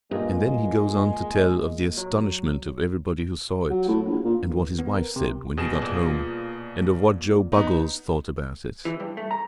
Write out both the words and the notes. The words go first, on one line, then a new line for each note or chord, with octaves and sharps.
And then he goes on to tell of the astonishment of everybody who saw it; and what his wife said, when he got home, and of what Joe Buggles thought about it.
G2 A#2 G#3 A#3 D#5
F#3
F#3
A2
A#1
A#2
G#1
B3
A#4
C3
B2 G#4 E7
A#2
B3 D#4
E3
G2
A3
A#5